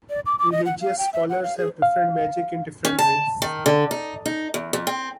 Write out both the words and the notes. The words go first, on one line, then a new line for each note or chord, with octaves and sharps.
Religious scholars have defined magic in different ways.
D5
D6
D6
D#5
F#5
F5
G5
E5
F#5
F5
G#4
F5
C#4
A5
D#3
D3
D#4
D#4
E2
F2
C4